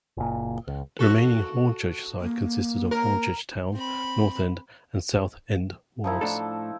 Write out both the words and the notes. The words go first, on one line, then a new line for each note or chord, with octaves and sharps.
The remaining 'Hornchurch side' consisted of Hornchurch Town, North End, and South End wards.
F#1 A#2
C#2
F#4 A4
A#3
A#4
C4 B5
F3 D#4 E4
A2 D4 A4